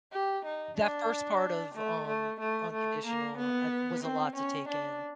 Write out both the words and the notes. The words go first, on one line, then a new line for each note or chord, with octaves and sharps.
That first part of, um, unconditional I was a lot to take in.
G4
D#4
D4
A3
A3
A3
A3
A#3
B3
C4
C#4
D4